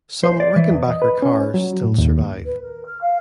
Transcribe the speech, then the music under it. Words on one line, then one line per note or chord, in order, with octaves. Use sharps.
Some Rickenbacker cars still survive.
C5
D5
E3
E2
D#5
B4
C#4
F#3
A2
D#2
B4
A#4
F6
F5